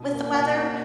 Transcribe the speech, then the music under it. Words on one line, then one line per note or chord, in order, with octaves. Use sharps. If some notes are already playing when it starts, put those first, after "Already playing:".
with the weather.
Already playing: B2
A#3 C#4
B2 F#5
A#3 C#4